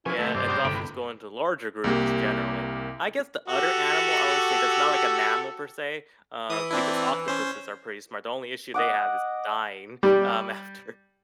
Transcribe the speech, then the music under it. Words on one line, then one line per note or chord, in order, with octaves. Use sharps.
Yeah, and dolphins go into larger groups generally. I guess the other animal, I would say, that's not like a mammal per se, uh because octopuses are pretty smart, the only issue they have is dying, um, after.
F3 C#4 E4 B4 G#5
D#2 C3 A3
G2 C5 D5
C3 G#3 D#6 G6 A#6
G1 B5 D6 D7
C2 A#3 G4
F#4 G4 A4
E3 D#6
C4 D4 E4
C#4 C5
D#5 F#5 D6
G3